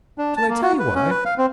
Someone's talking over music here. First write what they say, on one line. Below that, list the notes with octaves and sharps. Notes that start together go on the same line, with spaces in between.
Shall I tell you why?
D4
A5
A#3
F#4
B4
C#4
B4
F5
C4